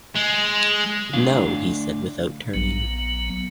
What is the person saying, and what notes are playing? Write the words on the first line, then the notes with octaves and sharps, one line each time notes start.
"No," he said without turning.
G#3
D2 D4 F5
A#1 F#3 B3